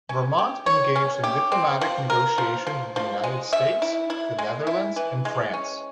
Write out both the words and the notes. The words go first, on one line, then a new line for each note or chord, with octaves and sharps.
Vermont engaged in diplomatic negotiations with the United States, the Netherlands, and France.
C#4
G4
C#5
C#4
G4
C4
F3
A#4
F3
F3
F3
G#3
E5
E4
E4
G#3
E4
E3
G#3
C#4